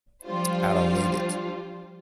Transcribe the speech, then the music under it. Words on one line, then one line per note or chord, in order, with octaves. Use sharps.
I don't need it.
F3 G3 D4 F4 C5